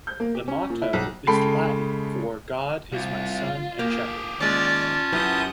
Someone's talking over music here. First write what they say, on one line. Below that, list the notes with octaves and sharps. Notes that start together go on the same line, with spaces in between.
The motto is Latin for "God is my sun and shepherd".
G6
A#3
G4
C#4
A#2
E4
B1
C#3 G#3 A4 G5 B5 C7
C2 F4
A#3 G4 G#4
D#2 G#3 C#4 F4 D5 A5
F#2 E4 G4 B4 D#6 G6